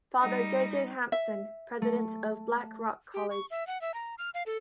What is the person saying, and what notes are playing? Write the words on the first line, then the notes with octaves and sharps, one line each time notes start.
Father J. J. Hampson, President of Blackrock College.
G3 D#4
E5
A3
G4
C#6
E5
F#5
E5
A#5
F6
F5
A4